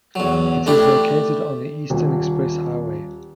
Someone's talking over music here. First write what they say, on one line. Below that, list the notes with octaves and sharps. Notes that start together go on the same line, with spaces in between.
It is located on the Eastern Express Highway.
E2 F#3
A3 D4 E4 G4
D#1